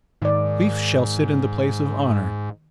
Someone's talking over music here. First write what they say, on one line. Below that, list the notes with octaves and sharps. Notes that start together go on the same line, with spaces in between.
"Leif shall sit in the place of honor."
G#2 D#3 D5